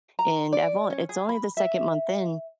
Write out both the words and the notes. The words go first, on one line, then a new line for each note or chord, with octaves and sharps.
and I've on it's only the second month in,
A#5
D5
C#4
G#4
B5
E5